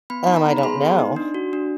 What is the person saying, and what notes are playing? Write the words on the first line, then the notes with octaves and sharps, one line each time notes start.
Um, I don't know.
B3 B5
D#4 B5
A#5
B3 B5
B5
G#4 C6
B3
D#4
D4
F#4
D4